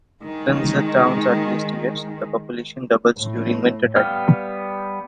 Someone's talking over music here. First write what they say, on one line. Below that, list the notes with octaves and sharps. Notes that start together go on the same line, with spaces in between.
Since the town's earliest years, the population doubles during wintertime.
D#3 G#3
A2
G3 B3 F5 G5 F6